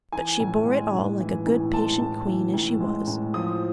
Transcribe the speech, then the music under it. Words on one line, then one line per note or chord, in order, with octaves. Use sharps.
But she bore it all like a good patient queen as she was.
E3 G#5
A2
G#3
A2
E3
A2
G#3 A5
A2
E3
A2
G#3
A2
F3 D#6